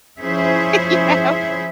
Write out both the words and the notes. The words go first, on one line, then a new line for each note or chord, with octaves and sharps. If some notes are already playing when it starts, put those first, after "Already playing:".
You know?
F3 C#4 E4 G#4 C5 E5